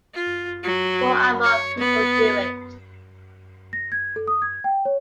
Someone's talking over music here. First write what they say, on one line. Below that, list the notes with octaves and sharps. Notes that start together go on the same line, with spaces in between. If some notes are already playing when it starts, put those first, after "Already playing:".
More and more people do it.
F4
F#3
C#5
B3
A#6
G#6
A4
D#6
G#6
G5
C#5